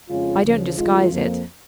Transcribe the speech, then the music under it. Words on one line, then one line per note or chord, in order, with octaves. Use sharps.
I don't disguise it.
F2 C#3 G#3 C#4 F4
D#2 C#3 F3
F2 D#3 G#3 F4
F2 F3 A#3